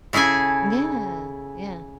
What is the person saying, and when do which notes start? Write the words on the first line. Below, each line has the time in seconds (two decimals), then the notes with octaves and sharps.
Yeah, yeah.
0.13 C#3 E4 G#4 A4 G#5